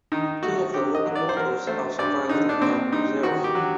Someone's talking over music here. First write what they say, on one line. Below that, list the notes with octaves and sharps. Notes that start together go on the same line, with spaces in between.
Two of the locomotives have survived and are preserved.
D#3 D#4
A3 F#4
D3 G4
D#5
F#3
D5
C5
F#3 A#4
A3 C5
G2 D5
D3 D#4
D4
A#2 C4
G3 D#4
D#3 F#4
G4
F#3